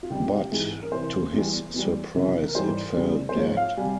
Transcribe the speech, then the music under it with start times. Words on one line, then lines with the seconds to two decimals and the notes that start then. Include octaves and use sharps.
But, to his surprise, it fell dead.
0.03 F4
0.10 C#2 C3 G3 G4
0.51 G#2 E3 G#3
0.82 A#4
0.92 C2 C3 E3 C5
1.33 E2 E3 G3
1.74 E2 E3 G3
2.15 C#2 C3 E3
2.48 A#4
2.55 G#2 E3 G3 C5
2.95 E2 C#3 G3
3.29 C5
3.36 G#2 F3 G#3 C#5
3.57 F5
3.77 C3 G3 G#5